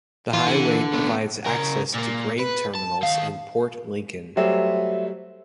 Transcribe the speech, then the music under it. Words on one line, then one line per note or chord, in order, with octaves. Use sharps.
The highway provides access to grain terminals in Port Lincoln.
E3 F4
D3
A3 B3 C#4
C#3 A#4
A#2 A#3
B4
A5
D#3 F5
F#3 G3 A3 C5 E5